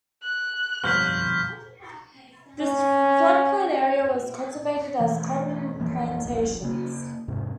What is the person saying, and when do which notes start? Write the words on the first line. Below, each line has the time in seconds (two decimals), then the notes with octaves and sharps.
This floodplain area was cultivated as cotton plantations.
0.23 F#6
0.84 G1 F2 B2 D3 F6 G6 B6
2.61 C#4
4.99 B2 E3 A3
5.79 A#1 E3 A#3
6.25 D#1 A#1
6.62 C#3 A#3
7.28 E2 G#2 C3